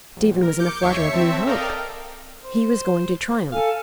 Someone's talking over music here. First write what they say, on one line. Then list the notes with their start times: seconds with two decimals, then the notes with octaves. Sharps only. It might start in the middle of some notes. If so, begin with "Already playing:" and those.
Stephen was in a flutter of new hope; he was going to triumph.
0.17 A#1
0.43 A#4
0.59 D6 G6 C#7
0.82 D#2 C#5 E5 C#6 C7 C#7
1.13 C4 E5 A5
1.46 A4 A#4 D5 D#5 F5 G5
2.44 C5
3.52 A4 F5 G#5